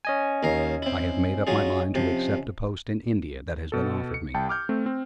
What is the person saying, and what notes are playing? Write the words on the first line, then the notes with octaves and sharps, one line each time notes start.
I have made up my mind to accept a post in India, that has been offered me.
C#4 D#5 G#5
D#2 A#4 F5
C4 E4
F#3 F4 G#4
C3 F3
B2 A4
C#7
C2 G5 A5
D6 F6 G6
A3 C4
C4